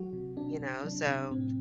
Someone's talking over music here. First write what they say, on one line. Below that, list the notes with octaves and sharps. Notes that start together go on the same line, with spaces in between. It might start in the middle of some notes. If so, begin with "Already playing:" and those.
You know? So
Already playing: F#3 F#4
C3
C3 D4
C3
F#3 D4
C3
A2 C4